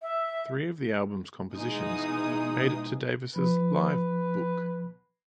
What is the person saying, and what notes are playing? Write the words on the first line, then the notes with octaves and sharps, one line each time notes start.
Three of the album's compositions made it to Davis's live "book".
E5
B2 E3 G#3 D#4 G#4 D#6
F3 B4